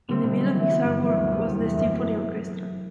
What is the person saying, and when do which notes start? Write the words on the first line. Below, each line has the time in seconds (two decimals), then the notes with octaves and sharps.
In the middle of his art-work was the symphony orchestra.
0.08 D3 G3 C4
0.24 B2
0.39 F#3 C4
0.55 E3
0.69 B3 F#4
0.84 G2
1.00 E3 A3
1.16 D2
1.31 C3 G3 B3
1.47 E2
1.61 C3 E3 A3
1.77 F#2